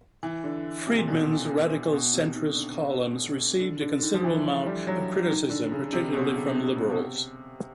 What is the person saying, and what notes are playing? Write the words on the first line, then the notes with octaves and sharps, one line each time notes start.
Friedman's radical-centrist columns received a considerable amount of criticism, particularly from liberals.
E3
D3
C3
A#2
B2
B2
C3
D#3
D3
D3
D3
D#3
F3
E3
G3
F#3
D#3
D3
C#3
C3
B2
C#3
C3
B2
B2
C3